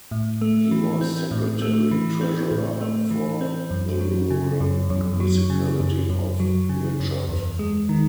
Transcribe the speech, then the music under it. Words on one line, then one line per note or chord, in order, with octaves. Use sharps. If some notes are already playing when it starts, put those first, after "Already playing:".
He was secretary-treasurer for the Rural Municipality of Ritchot.
A2
A3
E3
C4
A2
A3
E3
C4
A2
A3
E3
C4
F#2
F#3
C#3
F#2
F#2
F#3
C#3
F#2
F#2
F#3
C#3
F#2
E2
G#3
D#3